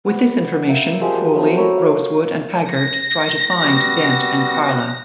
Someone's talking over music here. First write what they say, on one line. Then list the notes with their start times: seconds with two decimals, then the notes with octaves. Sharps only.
With this information, Foley, Rosewood, and Taggart try to find Dent and Karla.
0.06 B3 C4
0.69 A#3 E5 G5
1.01 F3 G#3 F#4 G4
1.35 F#3 A3 B3 C4
1.57 A#4 C#5 B5 E6
1.76 A#4 F5
2.71 A#6
3.62 G3 B3 F#4